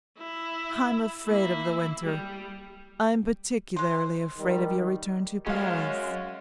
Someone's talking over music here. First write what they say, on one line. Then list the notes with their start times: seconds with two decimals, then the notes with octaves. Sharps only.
"I am afraid of the winter; I am particularly afraid of your return to Paris."
0.18 E4
1.26 A#3 E4
2.03 G3
3.76 G#3 C5
4.38 D#3 G3
5.46 F#2 G#3 C#4 F#4 F5